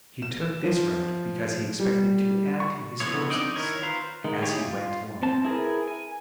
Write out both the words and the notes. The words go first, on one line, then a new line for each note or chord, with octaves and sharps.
He took this route because he expected to add to his forces as he went along.
E7
F3
G3
C#6
C#3 F3 B3 E4 C#5
C4 D4 D#4 D5 D#5
D#3 E4 A#4 C#5 C#6
F4 B4 C5 A#5
D#3 G#3
E4 G4 G#4 C#5
F4
C4 A5
E4 G#4 A#4 B4
G#5